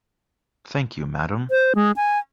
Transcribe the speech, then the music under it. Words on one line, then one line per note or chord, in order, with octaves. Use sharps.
Thank you, madam.
C5
G#3
G#5